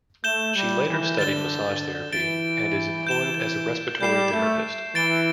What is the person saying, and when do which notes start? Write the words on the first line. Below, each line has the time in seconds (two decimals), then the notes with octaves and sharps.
She later studied massage therapy and is employed as a respiratory therapist.
0.24 A3 G6 E7 G7
0.55 G3
0.87 E3
1.18 D3 A6 E7 G7
1.66 D3
2.12 E3 A6 D7 G7
3.07 G6 E7 G7
4.01 G3 G6 C7 E7
4.33 A3
4.95 E3 A6 D7 G7